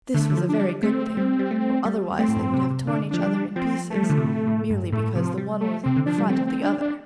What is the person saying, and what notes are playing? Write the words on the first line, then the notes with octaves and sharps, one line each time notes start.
This was a very good thing, for otherwise they would have torn each other in pieces, merely because the one was in front of the other.
D3 A3
D3
F3
D4
G3
A3 C4
G3
G3
A3
G3
A3 C4
A2
G2
C3
C3
D3 D4
F3 D4
G3
F3 C4
A3
G3
F3
D3
C3
A2
A2
G2
A2 A3
A2
C3 F3
G3
A3
C3 C4
D3
F3 D4
G3
A3 C4
C4
D4
D4